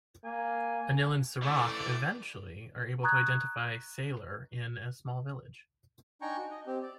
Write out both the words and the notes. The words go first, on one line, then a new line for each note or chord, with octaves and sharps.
Anil and Sarath eventually are able to identify Sailor in a small village.
A#3 G#5
E3 A3 D5
A#5 C#6 D#6 F#6 G#6 A6
D4 D#4 G5 G#5 A#5 C#6
F#4
D#5
C4 G4
D5